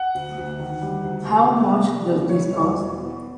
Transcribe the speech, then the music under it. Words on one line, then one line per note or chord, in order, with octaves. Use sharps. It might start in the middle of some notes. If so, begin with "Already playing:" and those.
How much does this cost?
Already playing: F#5
D2
D2
D#3
G3
D2
C3
G3
C3 E5
C3
D5
D2
C#5
G3
D#5
E2 D5
B2
B3